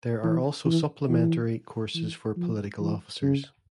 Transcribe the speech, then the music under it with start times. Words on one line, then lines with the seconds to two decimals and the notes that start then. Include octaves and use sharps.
There are also supplementary courses for political officers.
0.24 E3
0.66 E3
1.09 E3
1.94 E3
2.37 F3
2.80 E3
3.23 C#3